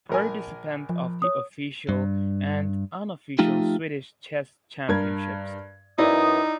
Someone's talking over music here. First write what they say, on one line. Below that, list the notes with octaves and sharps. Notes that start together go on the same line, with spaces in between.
Participant of the official and unofficial Swedish Chess Championships.
A#1 A#4 G#5
F3
C#5 D#6
G2
F3 A3 D#4 F4 G4
G2 A#4 G#6
F#2 E3 D#4 E4 D5 D#6